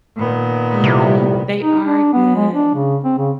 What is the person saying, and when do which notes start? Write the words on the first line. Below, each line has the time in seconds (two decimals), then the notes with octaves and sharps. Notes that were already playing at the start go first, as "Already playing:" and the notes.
Mhm, they are good.
0.16 A#2 D#3 B3
0.84 A2 C3 F3 G3
1.63 D#4
1.85 D4
2.13 B3
2.36 G#3
2.53 D4
2.74 C#3
3.04 C4
3.18 C#3